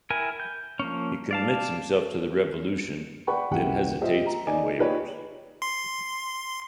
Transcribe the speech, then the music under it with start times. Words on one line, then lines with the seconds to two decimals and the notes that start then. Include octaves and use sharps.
He commits himself to the revolution, then hesitates and wavers.
0.10 E4 A#4 G5 G#5
0.40 G6
0.80 F3 A#3 C#4
1.31 D5 F5 A5
3.27 B4 D5 F#5 G5 B5 C#6
3.51 C2 F#2 G4 F#5 G5
4.01 F4 G4 C5 D#5 E5
4.26 A#5
4.47 D#4 D5 G#5
4.78 D#4 F4 G4 B4 C#5
5.62 C6